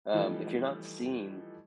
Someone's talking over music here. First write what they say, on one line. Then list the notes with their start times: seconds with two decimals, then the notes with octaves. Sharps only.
Um, if you're not seeing
0.14 E3 F3 G3 A3 D#4